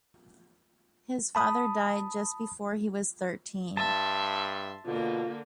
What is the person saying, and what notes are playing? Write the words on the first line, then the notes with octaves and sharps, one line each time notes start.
His father died just before he was thirteen.
A5 B5 D#6
G2 E5 A5 C6
B2 D3 A#3 F4